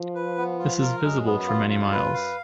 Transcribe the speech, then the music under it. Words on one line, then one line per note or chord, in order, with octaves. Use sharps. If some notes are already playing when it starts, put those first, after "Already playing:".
This is visible for many miles.
Already playing: F3
B4
B3
F4
A#4
F#2 G#3
B3
F4
F4
B4
F5